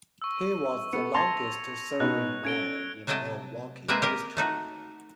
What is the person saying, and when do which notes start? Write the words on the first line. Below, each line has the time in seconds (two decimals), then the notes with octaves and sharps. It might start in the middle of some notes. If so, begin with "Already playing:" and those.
He was the longest serving mayor in Milwaukee history.
0.22 C#6 E6
0.93 B3 A4 C#7
1.14 A5 C6 G#6 A#6 F7
2.00 B2 D#4 F#6
2.45 C#4 A4 G#6 D7 G7
3.07 C3 F#3 A3 D#5 G5 A5
3.88 G#3 A#3 C4 B4 D#5 E5
4.02 G4 A#4 D#5
4.37 A3 D#4 F#4